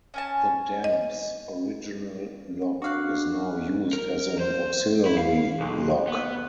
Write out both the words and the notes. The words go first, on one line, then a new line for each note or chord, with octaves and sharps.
The dam's original lock is now used as an auxiliary lock.
C#4 G#5 A5
D#5
D4 F#4 F5 F#6
A#4
C5
E4
F5
B1
B3